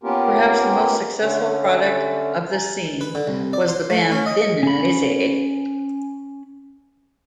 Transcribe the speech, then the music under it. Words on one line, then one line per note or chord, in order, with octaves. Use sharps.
Perhaps the most successful product of this scene was the band Thin Lizzy.
A#3 B3 C#4 F4 G4 A#4
D3 A3 C#4
G#5 A#5
B4
D3
C2
D5
C5
A3
C#4
D#5
C#4 B5